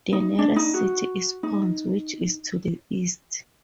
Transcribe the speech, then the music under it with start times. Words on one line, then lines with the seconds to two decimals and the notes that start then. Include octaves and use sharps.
The nearest city is Ponce, which is to the east.
0.12 D#4
0.38 D4
0.56 D#4
0.74 F#4
1.43 D#4